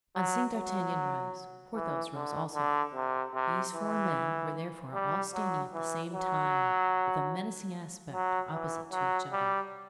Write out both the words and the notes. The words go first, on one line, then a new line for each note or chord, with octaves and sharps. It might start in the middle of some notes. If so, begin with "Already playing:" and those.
On seeing D'Artagnan rise, Porthos rose also; these four men were therefore all standing at the same time, with a menacing aspect, opposite to each other.
F#3
F#3
E3
D3
D3
C3
C3
E3
G3
F#3
E3
F#3
F#3
E3
F#3
G3